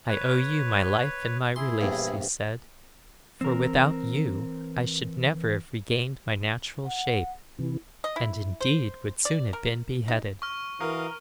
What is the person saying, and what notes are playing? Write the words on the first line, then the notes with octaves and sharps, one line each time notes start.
'I owe you my life and my release,' he said, 'for without you I should never have regained my natural shape, and, indeed, would soon have been beheaded.
B4 C#5
E4 G#4 C6
A#1 E2 G2
E3 C4 A#4
F#5
C3 E3 E4
D#5
E4
C5
D5
A#4
D#4
C#6 F6
E3 F#4 A#4 F5 D#6